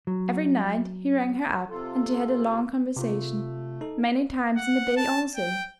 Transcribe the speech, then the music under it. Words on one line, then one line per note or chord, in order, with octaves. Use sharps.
Every night he rang her up and they had a long conversation; many times in the day also.
F#3
C3 F4 A4
C3 A3 F4
D#4 A4
F#5
A5
G5